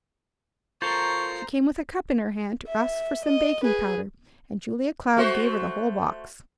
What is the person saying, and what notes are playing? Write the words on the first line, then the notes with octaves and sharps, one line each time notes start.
She came with a cup in her hand to ask for some baking-powder, and Julia Cloud gave her the whole box.
F4 A4 A#4 C5 A#5 C#6 C7
E5
D#5
G#4 B4
A3 F#4 C5